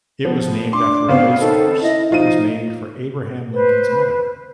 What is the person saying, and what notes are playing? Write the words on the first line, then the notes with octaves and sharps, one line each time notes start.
It was named after a race horse that was named for Abraham Lincoln's mother.
F3 B3
D4 C6 D6
C#3 B3 C4 F5
D#3 A4
E4 D#5
F3 D#4 F4 D#7
B4 C5